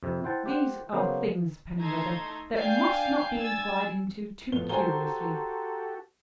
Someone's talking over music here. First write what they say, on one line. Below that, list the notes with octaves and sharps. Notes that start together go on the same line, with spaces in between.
These are things, Penwether, that must not be inquired into too curiously.
F2 C3
E4 C5 F#5 G5 A5
G4 C5 F#5
C#3 F#3 A#3 B3 C5
A3 D#4 E5 A#5 C6 G#6
D4 F5 G5 G#5 G6 C7
G#5 E6 G#6 A6
F2 A2 B3 G7
F#4 G4 A4 C5 G#5 A#5 C6 G7